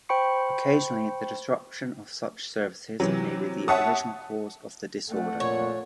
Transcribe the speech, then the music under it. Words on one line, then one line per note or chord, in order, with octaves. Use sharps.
Occasionally, the disruption of such services may be the original cause of the disorder.
C5 G5 B5 C#6 C#7
C3 E3 F#3
C#5 E5 F#5 A5 D#6
F2 A3 D4 F#5
A#2 C#5